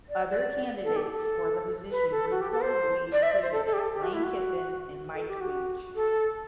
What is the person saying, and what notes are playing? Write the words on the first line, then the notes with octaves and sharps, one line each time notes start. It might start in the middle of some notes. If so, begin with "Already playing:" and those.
Other candidates for the position reportedly included Lane Kiffin and Mike Leach.
D5
D5
A4
G4
A4
B4
A4
F#4
G4
A4
C5
D5
E5
D5
C5
A4
A4
G4
A4
G4
F#4
E4
F#4
A4
G4
F#4
A4